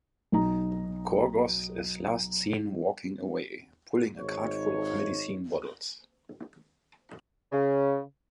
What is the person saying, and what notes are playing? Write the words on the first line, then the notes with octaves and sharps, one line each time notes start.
Korgoth is last seen walking away, pulling a cart full of medicine bottles.
B1 D#4 A#5
G#1 D#4 C#5
C#3